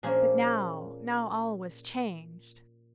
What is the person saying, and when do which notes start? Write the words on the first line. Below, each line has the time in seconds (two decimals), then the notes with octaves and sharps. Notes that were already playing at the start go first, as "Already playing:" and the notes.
But now, now all was changed.
0.03 A#2 F3 A#3 C#4 G#4